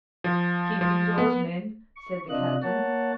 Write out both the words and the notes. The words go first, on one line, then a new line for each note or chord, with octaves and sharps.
"Keep indoors, men," said the captain.
F3
F3
B3
C#6
C3 D4 F4 D#5 F#6
A#3 C#5 F#5 A5